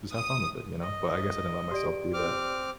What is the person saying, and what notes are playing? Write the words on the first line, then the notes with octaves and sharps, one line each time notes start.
"Just have fun with it," you know, but I guess I didn't let myself do that.
D#6
D#5
G4 D5 D7
C4 D6 F6